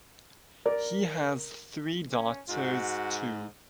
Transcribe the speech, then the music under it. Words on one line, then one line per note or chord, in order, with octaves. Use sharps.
He has three daughters too.
A#4 D5
C#4
G#2 F#4